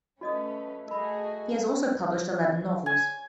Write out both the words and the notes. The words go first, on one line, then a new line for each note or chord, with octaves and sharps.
He has also published eleven novels.
A3 C#4 F#4 B4 D#5 D#6
A3 F#4 G#4 A#4 D#5 B5
G#5